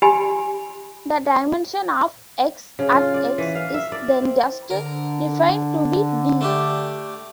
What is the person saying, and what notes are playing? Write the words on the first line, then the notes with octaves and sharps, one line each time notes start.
The dimension of "X" at "x" is then just defined to be "d".
G4 G#5 B5
C#3
F4
D5
E3
F5
E5
D5
C4
D3 A#4
A3 D4 G4